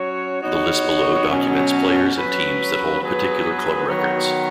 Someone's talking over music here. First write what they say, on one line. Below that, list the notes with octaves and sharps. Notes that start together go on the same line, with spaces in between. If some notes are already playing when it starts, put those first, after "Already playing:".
The list below documents players and teams that hold particular club records.
Already playing: F#3 C#4 F#4 C#5
B3 D#4 F#4 C#5
B2 F#3 C#4
F#3 C#4 B4
F#3 B3 G#4 B4
D#3 F#3 B3 F#4 C#5